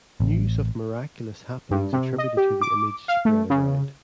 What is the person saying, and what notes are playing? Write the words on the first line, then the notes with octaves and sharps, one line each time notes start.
News of miraculous happenings attributed to the image spread around.
A1
G2
C3
D#5
G4
D6
F5
A3
C#3